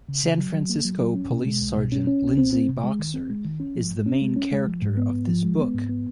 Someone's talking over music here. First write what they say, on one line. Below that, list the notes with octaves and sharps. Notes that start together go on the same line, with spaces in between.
San Francisco Police Sergeant Lindsay Boxer is the main character of this book.
C#3
C#3
F#3
F#3
A#3
F#3
F#3
C#4
B2
G#3
C2
B2
C#4
C#4
C2
C4
C4
C3
G#3
D#3
C4
G#3
D#3
C#4
F3
G#2
C#4
G#3
C#4
G#3
F3
G#2
B3
G#2
F3
G#3
B3
G#2
B3